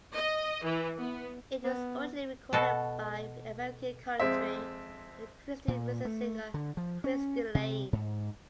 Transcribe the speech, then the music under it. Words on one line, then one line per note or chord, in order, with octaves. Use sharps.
It was originally recorded by American country and Christian music singer Cristy Lane.
D#5
E3
B3
B3
B2 F#4 A4
F2 G#3 C4 E5
A#2
A3
D3
F3
C#4
C3
G#2